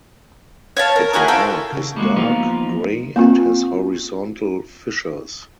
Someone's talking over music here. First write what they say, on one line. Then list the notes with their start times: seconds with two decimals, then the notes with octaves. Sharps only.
Its bark is dark grey and has horizontal fissures.
0.77 C#5 F5 A5
0.96 A#4
1.13 E4 F#4 G#4 A#4
1.28 F4 A4 G5
1.72 C#3
1.96 G3 G#3 A#3 F#4
2.16 F3 A#3 B3 D#4 A#4
3.16 A#3 C4 F4